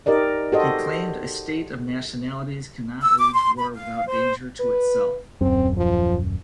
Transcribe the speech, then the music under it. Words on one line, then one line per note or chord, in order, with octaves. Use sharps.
He claimed a state of nationalities cannot wage war without danger to itself.
D#4 G4 A#4 D5 D#5
F#4 G4 A4 C5 D#5
E6
D6
C6
B5
F5
C5
B4
D#1 F#2 C4
F3